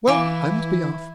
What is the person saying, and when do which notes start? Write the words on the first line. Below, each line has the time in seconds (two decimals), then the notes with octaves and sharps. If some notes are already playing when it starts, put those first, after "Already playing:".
Well, I must be off.
0.08 E3 E4 F5 G#5 D6